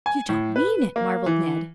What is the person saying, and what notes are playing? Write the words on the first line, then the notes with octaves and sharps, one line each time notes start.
"You don't mean it?" marveled Ned.
G#5
A2
B4
A#3
E3